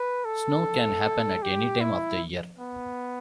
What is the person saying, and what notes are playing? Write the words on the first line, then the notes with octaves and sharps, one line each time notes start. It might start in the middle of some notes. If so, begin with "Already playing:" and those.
Snow can happen at any time of the year.
Already playing: B4
A4
G4
E4
B3